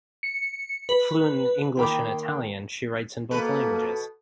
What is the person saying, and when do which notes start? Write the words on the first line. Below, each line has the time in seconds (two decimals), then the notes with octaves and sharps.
Fluent in English and Italian, she writes in both languages.
0.23 C#7
0.89 B4
1.77 D#3 A#3 G5 B5 D6
3.31 B2 A#3 A4 B4